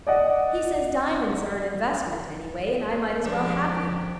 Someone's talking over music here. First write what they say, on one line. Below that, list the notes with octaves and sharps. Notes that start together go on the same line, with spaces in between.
He says diamonds are an investment, anyway, and I might as well have them.
D5 D#5 F#5
F2 F3 G#3 D4 G4
F3